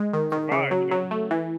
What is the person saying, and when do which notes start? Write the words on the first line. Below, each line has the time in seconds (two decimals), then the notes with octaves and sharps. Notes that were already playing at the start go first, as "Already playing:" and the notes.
survive, you know?
Already playing: G#3
0.13 D#3
0.32 D#3
0.52 C#3
0.71 F#3
0.91 F#3
1.11 A3
1.31 E3